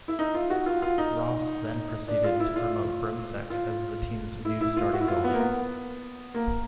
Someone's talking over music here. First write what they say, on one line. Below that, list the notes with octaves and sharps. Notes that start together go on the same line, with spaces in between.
Ross then proceeded to promote Brimsek as the team's new starting goalie.
E4
D#4
F4
F#4
F4
F4
D#4
D4
F4
E4
F4
F4
E4
E4
F4
F#4
E4
F4
B3
A#3
B3
A#3